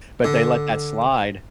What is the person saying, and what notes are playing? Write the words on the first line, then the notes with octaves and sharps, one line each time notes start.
But they let that slide
D3